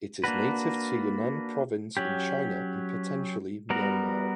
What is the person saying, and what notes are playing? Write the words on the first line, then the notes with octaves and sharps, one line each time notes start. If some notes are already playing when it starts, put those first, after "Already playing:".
It is native to Yunnan Province in China and potentially Myanmar.
A#3 D4 F#4 B4
F#3 C#4 G4
G3 B3 F#4 A#4